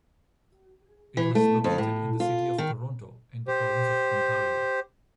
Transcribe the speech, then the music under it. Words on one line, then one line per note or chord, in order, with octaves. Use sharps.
It was located in the City of Toronto, in the province of Ontario.
E3
A3
F2
A2
F4
D#3
G4 C5